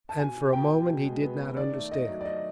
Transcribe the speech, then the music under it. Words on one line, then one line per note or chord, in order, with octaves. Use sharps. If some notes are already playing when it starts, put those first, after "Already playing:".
And for a moment he did not understand.
A5
B2 G#5
B2
B2 G5
B2
B2
G#3
B3
B2
D#3 D5
A3
A3 D#5
F#3
D5
F#3 D#5